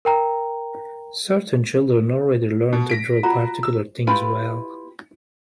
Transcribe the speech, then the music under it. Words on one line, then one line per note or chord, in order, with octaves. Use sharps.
Certain children already learned to draw particular things well.
A#4 G5 A#5
B2
A#6 B6 D7
F4 F#4 A#5
E6
E4 F4 G4 B4 B5